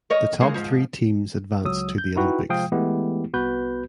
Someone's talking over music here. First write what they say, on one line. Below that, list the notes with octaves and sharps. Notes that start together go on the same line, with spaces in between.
The top three teams advanced to the Olympics.
A#4 C#5 D#5
C#3 G#3 A#3
G#2 F3
C#2 F#3 D#6 E6
G6
D#4 E4 F#4 B4 G5
C3 F3 G#3 F5 G5 D#6
E3 G#3 A3 B3 E4 G4
C2 B3 F#4 B4 G6